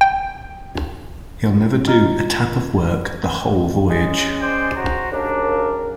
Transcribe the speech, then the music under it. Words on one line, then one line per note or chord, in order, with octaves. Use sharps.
He'll never do a tap of work the whole Voyage.
G5
F4 D#5 A#5
G#3 C#4
C5 D5 G5
F#4 C5 A#5
D#2 C#3 F#3 D4 A#4